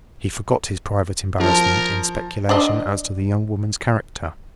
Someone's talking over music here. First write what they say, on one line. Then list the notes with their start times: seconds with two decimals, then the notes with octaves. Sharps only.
He forgot his private embarrassment in speculation as to the young woman's character.
1.40 F3 A#4
2.49 D4 D5 D#5